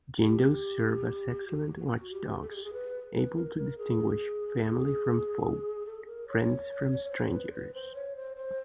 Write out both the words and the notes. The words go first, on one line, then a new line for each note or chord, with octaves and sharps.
Jindos serve as excellent watchdogs, able to distinguish family from foe, friends from strangers.
G4
F#4
G4
A4
G#4
G4
G#4
B4
B4
A#4
A#4
G#4
G#4
A4
A#4
C#5
C5
B4
B4
C5
C#5
C5
C5